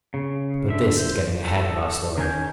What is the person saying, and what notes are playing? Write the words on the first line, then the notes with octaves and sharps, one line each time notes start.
But this is getting ahead of our story.
C#3
D3 E5
C5
A4
D#3 C#4 G#5 G6